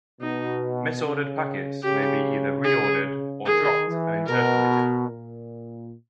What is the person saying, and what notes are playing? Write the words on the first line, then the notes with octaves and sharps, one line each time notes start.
Misordered packets may be either reordered or dropped and interpolated.
B2 D#4
C#3
C#3 G4
G#4
D#3 G#4
E3
B2 A#4
A#2